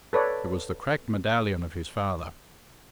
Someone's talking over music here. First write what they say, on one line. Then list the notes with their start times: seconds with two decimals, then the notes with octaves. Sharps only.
It was the cracked medallion of his father.
0.13 A4 B4 C#5 D5